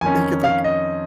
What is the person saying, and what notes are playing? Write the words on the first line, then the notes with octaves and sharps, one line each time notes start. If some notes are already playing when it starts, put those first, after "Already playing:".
They could like
F2 D#3 C#4 G#5
F5
D#5